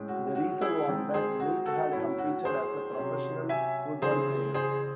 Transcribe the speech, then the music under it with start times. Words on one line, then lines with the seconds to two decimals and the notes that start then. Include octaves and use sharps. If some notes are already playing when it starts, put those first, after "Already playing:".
The reason was that Milt had competed as a professional football player.
Already playing: A2 G#3 C#4
0.08 F#4
0.35 F#4
0.61 E4 G#4
0.88 D#3 G#3 C4
1.14 G#4 C5
1.40 F#4
1.66 F#4 A4
1.92 A2 F#3 C#4 E4
2.18 F#4
2.45 G#4 C5
2.98 C3 F#3 C#4
3.49 E5 G#5
4.02 C#3 E3 C4 G#4 C5
4.54 G#4 C5